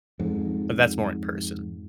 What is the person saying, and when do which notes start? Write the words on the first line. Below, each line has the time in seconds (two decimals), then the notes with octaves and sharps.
but that's more in person.
0.19 F2 G#2